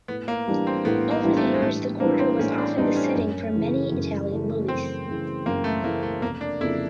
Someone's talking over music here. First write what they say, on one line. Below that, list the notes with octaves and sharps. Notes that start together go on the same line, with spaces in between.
Over the years the quarter was often the setting for many Italian movies.
A2 B3
A#3
E3 G3 B3 D4
C4
A2 B3
A#3
E3 G3 B3 D4
A3
G#3
A2 A3
E3 G3 A#3 B3 D4
C4
A2 C#4
D4
E3 G3 B3 D4 D#4
C#4
F#2
C#3 E3 A3
F#2
C#3 E3 A3
F#2 C4
C#3 E3 A3
F#2 A#3
A3
C#3 E3 A3 A#3
A3
F1 A#3
D4
F2 C#3 F3 A#3 E4